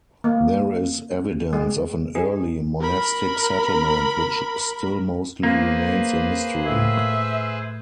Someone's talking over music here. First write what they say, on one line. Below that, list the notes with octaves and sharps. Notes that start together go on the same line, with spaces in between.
There is evidence of an early monastic settlement which still mostly remains a mystery.
A#3
G#3
G#4
A#4 B5
A#3 G#4 B4 C5
A2 E5 G#6